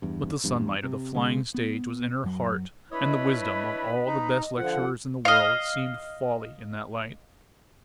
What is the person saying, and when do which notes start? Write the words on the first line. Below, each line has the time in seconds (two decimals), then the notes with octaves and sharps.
But the sunlight of the flying stage was in her heart, and the wisdom of all the best lecturers in the world seemed folly in that light.
0.02 E2 G2
0.44 E2 G2
0.84 C3
1.15 C#3 G#3
1.54 B3
2.24 F#2 F#3
2.91 D4 E4 B4 C#5 D#5 B5
4.06 D#4
4.57 D3 F3 F4 F#5
5.25 D#5 F5